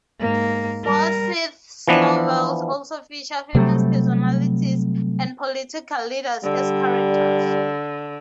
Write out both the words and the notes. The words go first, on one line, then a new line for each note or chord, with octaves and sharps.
Forsyth's novels also feature famous personalities and political leaders as characters.
G#2 A#3
G3 A#4
E3 F3 B3 D4
C3 F#3 G3 A3
D3 G3